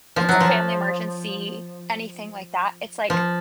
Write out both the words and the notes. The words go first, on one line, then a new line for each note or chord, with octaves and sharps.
If it's a family emergency, anything like that, it's, like
F3
F#3
F3
F3